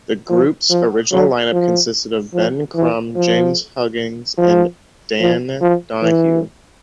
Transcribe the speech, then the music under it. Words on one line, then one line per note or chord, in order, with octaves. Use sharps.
The group's original lineup consisted of Ben Crum, James Huggins and Dan Donahue.
F3
F3
F#3
F3
F3
E3
F3
F3
F3
F3
E3